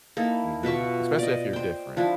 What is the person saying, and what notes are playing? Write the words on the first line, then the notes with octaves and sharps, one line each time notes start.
Mhm. Especially if you're different.
A#3 D#4 E4 A4
B2 F4 E5 C#6
D5 D#5
C5 G5
F3 D4 E4